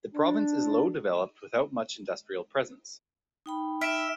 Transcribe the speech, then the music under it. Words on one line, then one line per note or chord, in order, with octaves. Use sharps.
The province is low developed without much industrial presence.
D4
D#4 G5 B5
E5 F6 D7 E7